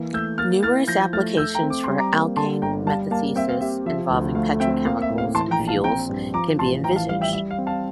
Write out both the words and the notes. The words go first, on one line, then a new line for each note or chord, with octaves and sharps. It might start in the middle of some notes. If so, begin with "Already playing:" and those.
Numerous applications for alkane metathesis involving petrochemicals and fuels can be envisaged.
Already playing: E3 A#3
A3 E6 G6
A#3 F6 A6
E4 F6 A6
F3 G6 A#6
A3 F6 A6
A3 E6 G6
G5 A#5
C4
D6
G3 C6
A#5 D6
A#3
D3 A5 C6
G1 G5 A#5
G3 F5 A5
A#3 F5 A5
C4 E5 G5
F5
G4 E5
F3 E5
D2
A3 F5
C4 E5 G5
A#3 F5
E5
A2
F5
E3 A5 C6
G5 A#5
A#1
F5 A5
C4 G5 A#5
G2
F3 A#5 D6
A1 A5 C6
E3 G5 A#5
F5 A5
G3 F5
E5 G5
G3 E5
F5
C4
F5 A5